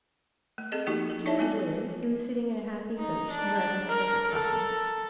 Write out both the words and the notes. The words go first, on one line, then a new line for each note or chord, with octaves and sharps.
Two minutes later, he was sitting in a hackney-coach and driving to Frederickshafen.
A3
C4 G#4 A4 D#5
F3 A3 A#3 D#4 F#4 G4
A4
D#4 E4 C#5 D5 E5 A5
G#3 A3 B3 F4 A4
D#4
D4
A#4
A4